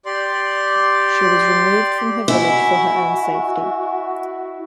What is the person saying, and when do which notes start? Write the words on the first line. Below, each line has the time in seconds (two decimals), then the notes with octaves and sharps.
She was removed from her village for her own safety.
0.06 G4 D5 C6
2.28 E4 F#4 D#5 G#5